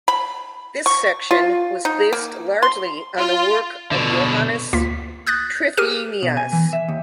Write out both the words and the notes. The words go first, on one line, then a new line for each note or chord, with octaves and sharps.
This section was based largely on the work of Johannes Trithemius.
B5
C#6
F4
D#4
A#3
C6
F4
B2 D3
D2 A#3 F4 B6
D#6 F#6 G6 A6
G4 G#4 A#4 F6 D#7
B2
G#5
E3
E5
D#2